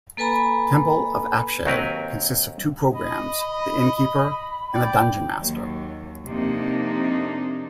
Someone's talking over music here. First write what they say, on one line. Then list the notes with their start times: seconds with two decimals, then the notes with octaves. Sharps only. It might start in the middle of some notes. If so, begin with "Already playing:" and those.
"Temple of Apshai" consists of two programs; the Innkeeper and the Dunjonmaster.
0.17 A#3 A4 B4 G#5 A#5 B5
1.66 D#2 F#3 C4 A#4 B4
2.95 D#5 B5
4.74 D5 G5
5.39 D#2 F#3
6.25 F2 C3 A#3 D4 D#4